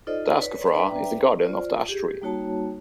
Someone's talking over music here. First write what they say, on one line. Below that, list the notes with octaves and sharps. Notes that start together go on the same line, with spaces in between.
The Askafroa is the guardian of the ash tree.
D#4 F4 A4 C5 D5 D#5
B4 C#5 D5
D4 B4 D5 E5 G5 A#5
F4 C5 D5
G4 G#4
G3 A#3 D#4 F#4 C#5 A5